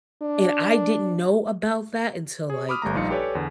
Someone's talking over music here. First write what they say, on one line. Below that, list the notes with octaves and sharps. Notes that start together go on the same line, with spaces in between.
And I didn't know about that until, like,
D4
G#4 C#5
B5 D6 D#6 F6
G1 G3 A3 A#5
A#1 G3 D#4 F4 F5 C#7
G4 A4 B4 C#5 D5 G#5
E2 D3